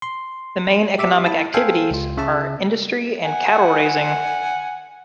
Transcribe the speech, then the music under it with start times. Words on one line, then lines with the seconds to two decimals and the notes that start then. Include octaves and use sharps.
The main economic activities are industry and cattle raising.
0.02 C6
0.98 G4 E5 D6
1.26 E4 A5
1.54 A4 C5 F5 G5 G#5
1.91 C#2 F4
2.17 C#3 E5 A5
3.25 F#5 G#5